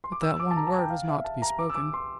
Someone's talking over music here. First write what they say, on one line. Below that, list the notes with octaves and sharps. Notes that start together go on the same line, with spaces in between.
But that one word was not to be spoken.
C6
D6
E6
D6
A5
A#5
A5
G5
F5
E5
A5
A#5
D6
E6
D6
C6